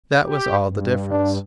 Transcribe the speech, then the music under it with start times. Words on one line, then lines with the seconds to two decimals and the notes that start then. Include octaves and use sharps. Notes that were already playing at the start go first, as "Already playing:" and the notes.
That was all the difference.
0.23 G4
0.62 G2
1.11 D4